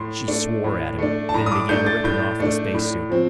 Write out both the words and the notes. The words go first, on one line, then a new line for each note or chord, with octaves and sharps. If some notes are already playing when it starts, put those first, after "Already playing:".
She swore at him, then began ripping off the spacesuit.
Already playing: A2 C6
A3 D4
A2
A3 D4
A5
A2 A#5
D#6
D6
A3 D4 G6
A6
A2 G6
A3 D4
A2
F3 C4